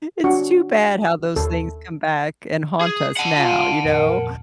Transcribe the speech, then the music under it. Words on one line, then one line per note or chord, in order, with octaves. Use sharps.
It's too bad how those things come back and haunt us now, you know?
D4 F#4 C#6
D#2 A4
G#4
F#5 A5
F4
F2 A#2 A#4